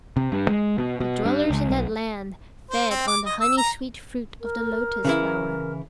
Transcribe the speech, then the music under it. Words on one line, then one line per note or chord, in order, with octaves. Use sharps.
The dwellers in that land fed on the honey-sweet fruit of the lotus flower.
C3
G2
G#3
B2
B2
G2
C#2
B1
C5
C4
D6
D#5
E6
A#5
A#4
C#3 E3 E4